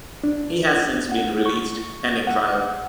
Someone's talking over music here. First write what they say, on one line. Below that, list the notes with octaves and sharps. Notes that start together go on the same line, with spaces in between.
He has since been released pending trial.
D4
F#5
C#6
F#5